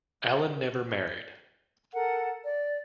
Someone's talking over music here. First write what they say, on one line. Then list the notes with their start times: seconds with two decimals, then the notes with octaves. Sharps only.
Allen never married.
1.93 A4 A#4 F#5
2.45 D5